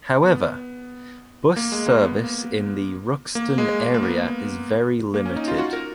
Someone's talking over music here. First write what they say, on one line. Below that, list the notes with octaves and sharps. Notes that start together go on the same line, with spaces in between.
However, bus service in the Ruxton area is very limited.
B3
A#3
G#3
A#3
B3
A#3
A#3
G#3
A#3
A#3
B3
A#3
C#4
D#4
F4
F#4
A#4